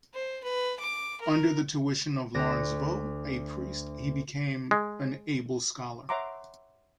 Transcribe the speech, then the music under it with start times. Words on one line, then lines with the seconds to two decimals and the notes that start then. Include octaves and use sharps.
Under the tuition of Laurence Vaux, a priest, he became an able scholar.
0.14 C5
0.44 B4
0.79 D6
1.21 A#4
2.34 D2 D5 F#6 A#6
4.71 G#3
6.09 C#5 E5 F#5 A#5 C6 D6